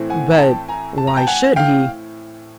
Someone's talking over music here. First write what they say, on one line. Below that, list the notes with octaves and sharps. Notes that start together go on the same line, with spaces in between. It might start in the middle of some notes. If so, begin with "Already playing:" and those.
"But why should he?"
Already playing: A2 E3 A3 C4
F#5 G#5
A#5
G5 A5
G#5 A#5
A5
A#5
G5 A5
F#5 G#5
F5 G5